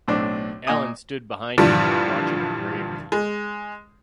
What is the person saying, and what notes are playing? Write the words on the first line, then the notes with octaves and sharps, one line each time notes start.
Allan stood behind him watching him gravely.
B1 A2 C4 D4
A#2 D#5 G#5 D#6
G2 A#2 D3 E3 F3 G3
G#3